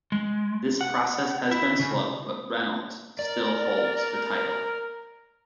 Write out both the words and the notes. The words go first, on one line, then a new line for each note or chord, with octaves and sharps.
This process has been slow but Reynolds still holds the title.
G#3
F#5
E4
C#3
A#4 D5